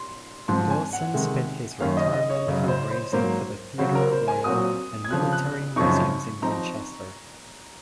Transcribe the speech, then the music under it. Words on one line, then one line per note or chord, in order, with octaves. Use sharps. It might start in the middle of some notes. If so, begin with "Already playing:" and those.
Dawson spent his retirement fundraising for the Theatre Royal and military museums in Winchester.
Already playing: C6
G#2 F3 C4 C6
G#5
F#5
C3 D#3 G#3
F#2 D#3 A#3 C#4 F5
D#5
D#5
C#5
F#2 C#3 F#3
C5
C5
G#2 F#3 A#3 C5
C#3 F#3 C4 F#4 C5
A#4
C5
G#5
A#2 F#3 C4 F#4 D#6
G#6
C#3 F3 C4 F4 F#6
F#6
F#2 C#3 F3 C4 D#4 C#6
F3 C4 D#4 A#5